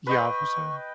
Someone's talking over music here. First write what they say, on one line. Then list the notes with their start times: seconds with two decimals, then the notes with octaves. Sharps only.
Yeah, for certain.
0.07 B4 D#5 G5 C#6